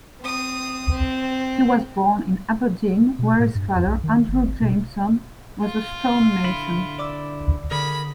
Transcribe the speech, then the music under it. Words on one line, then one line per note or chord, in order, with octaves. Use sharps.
He was born in Aberdeen, where his father, Andrew Jamesone, was a stonemason.
C4 D#6
C4
B2
A2
G2
F2
B1
D#3
G1
G#1
B2
F4
D3 E4 B5
D5 D6 E6
D3 G#4 A#4 B5